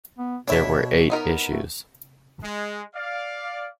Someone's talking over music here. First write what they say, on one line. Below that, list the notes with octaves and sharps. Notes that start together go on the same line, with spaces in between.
There were eight issues.
B3
B2 D4 E4 C#5 E5
B3 D#4 A#4
A3
G#3
D5 F5